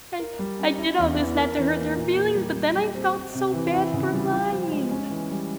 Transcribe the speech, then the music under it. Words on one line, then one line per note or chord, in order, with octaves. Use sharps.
I I did all this not to hurt their feelings, but then I felt so bad for lying.
A#4
G3
C#4
E4
E2
E3
A#4
E3
A#3
A#2
A#2
G3
G3
G3
C4
C4
C3
E3
E4
C#3
G3
F4
F3
G#3
C#4
E3
G3